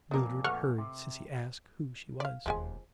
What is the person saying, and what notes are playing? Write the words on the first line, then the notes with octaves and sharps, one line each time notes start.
Mildred heard Cissy ask who she was.
F2 A#2 B3 A#4
A3 B4 F#5 C#6 F6
C3
D5 F5
E1 D#2 F3 G#3 G#5